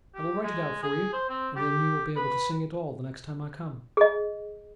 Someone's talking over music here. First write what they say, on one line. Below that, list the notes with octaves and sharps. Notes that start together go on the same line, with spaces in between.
"I will write it out for you, and then you will be able to sing it all the next time I come."
G4
G#3
G#4
C5
C4
G4
B4
G#4 D#5